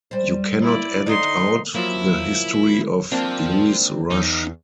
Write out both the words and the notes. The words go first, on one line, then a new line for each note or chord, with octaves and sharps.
You cannot edit out the history of Louis Rush.
G3 C5
E4 D5
D3 D#4 E4 D5 C6
F3 F#3 A#3 E4
A#3 C4 D4 F4 A5
E2 D#4